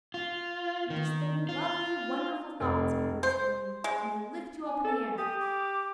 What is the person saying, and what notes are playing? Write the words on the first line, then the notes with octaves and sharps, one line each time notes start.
"You just think lovely wonderful thoughts," Peter explained, "and they lift you up in the air."
F4
D#3
F4
F1
C5
G#3
G#5
A4
G4 D#6
D6